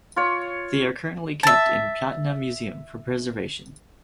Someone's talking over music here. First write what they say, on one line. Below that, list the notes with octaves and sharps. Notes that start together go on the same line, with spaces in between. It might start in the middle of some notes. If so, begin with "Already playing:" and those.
They are currently kept in Patna Museum for preservation.
F4 C#5
E5 A5